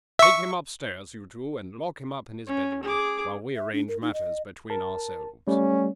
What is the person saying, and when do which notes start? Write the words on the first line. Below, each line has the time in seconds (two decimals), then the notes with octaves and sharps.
Take him upstairs, you two, and lock him up in his bedroom, while we arrange matters between ourselves.'
0.19 E5 C#6
2.47 C#4
2.83 G#4 D6
3.56 E5
3.73 D4
3.88 A#4
4.02 D#4
4.14 D#5
4.70 A#4 A5
5.47 G3 A3 C#4